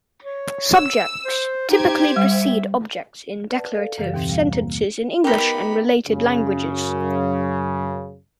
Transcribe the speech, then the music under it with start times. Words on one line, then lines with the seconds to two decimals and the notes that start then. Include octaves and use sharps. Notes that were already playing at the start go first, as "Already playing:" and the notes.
Subjects typically precede objects in declarative sentences in English and related languages.
0.24 C#5
0.72 E6
1.25 C5
1.70 D#4 G4 C5 G#6
2.16 G3 E5
3.50 B4 D5 F#5 A5
3.75 A4 D5 F5
3.98 F#2 C#3 E3 G4 F5 A6
4.14 D#2 B2 E3 C4
4.29 G3 F5
4.53 A#3
5.24 B3 D#4 G4 A#4 B5
6.07 F#2 C#3